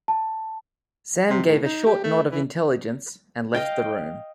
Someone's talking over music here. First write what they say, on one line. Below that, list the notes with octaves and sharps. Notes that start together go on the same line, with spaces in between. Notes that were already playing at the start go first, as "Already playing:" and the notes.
Sam gave a short nod of intelligence, and left the room.
A5
C3
A2
D#4
G4
A3
E3
D#5 F5 G5